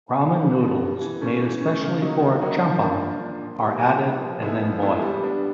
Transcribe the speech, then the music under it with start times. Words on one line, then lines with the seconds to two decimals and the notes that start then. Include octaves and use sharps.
Ramen noodles made especially for "champon" are added and then boiled.
0.21 B2
0.41 G3 B3
0.61 B2
0.82 G3 B3
1.01 E3
1.21 A3 C#4
1.42 E3
1.61 A3 C#4
1.81 C#3
2.02 F#3 A#3 D#4
2.22 C#3
2.42 F#3 A#3 D#4
2.62 F3
2.82 A#3 D4
3.02 F3
3.22 A#3 D4
3.41 A#2
3.62 G3 B3 D#4
3.82 A#2
4.02 G3 B3 D#4
4.22 F3
4.42 G#3 B3 E4 A4
4.62 F3
4.82 G#3 B3 E4 A4
5.02 G3
5.23 B3 D4